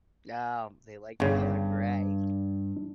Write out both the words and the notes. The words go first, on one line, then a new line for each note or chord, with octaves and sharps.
No, they like the color gray.
G1 G2 C#3